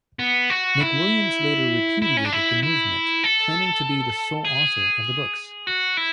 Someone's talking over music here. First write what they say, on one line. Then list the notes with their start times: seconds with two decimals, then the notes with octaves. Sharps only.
McWilliams later repudiated the movement, claiming to be the sole author of the books.
0.19 B3
0.50 F#4
0.81 E4
2.02 E4
2.17 C#4
2.25 D4
2.33 E4
2.63 E4
3.24 A4
4.45 G#4
5.67 F#4
5.97 E4